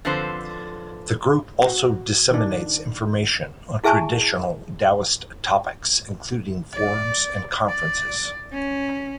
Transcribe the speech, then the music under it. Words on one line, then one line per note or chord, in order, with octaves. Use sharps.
The group also disseminates information on traditional Taoist topics, including forums and conferences.
D3 F3 C4 A4 B4 C5
F#4
D#3 D4
E4 G#4 E5 G#5 A5 C#6
D5
D5
C#4